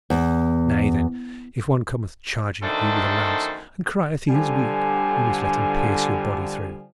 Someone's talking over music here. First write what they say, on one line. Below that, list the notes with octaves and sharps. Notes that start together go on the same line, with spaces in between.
Nay, then, if one cometh charging at you with a lance, and crieth he is weak, ye must let him pierce your body through!
E2
F#2 D#3 A3 D4 A4 C5
D3 F3 G3 G#5